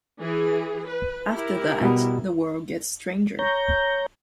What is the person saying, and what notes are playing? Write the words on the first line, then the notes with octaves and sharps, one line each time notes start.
After that, the world gets stranger.
E3 G#4
B4
E4 G4 A#4
B2 G3 B3
C#5 A#5 G6